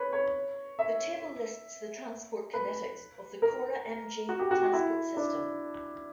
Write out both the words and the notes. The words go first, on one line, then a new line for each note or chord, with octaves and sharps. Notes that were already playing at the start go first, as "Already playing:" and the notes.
The table lists the transport kinetics of the CorA Mg transport system.
Already playing: B4 C#5
C#5
E5
B4
A#4
F#4
G4
F#4
E4
D4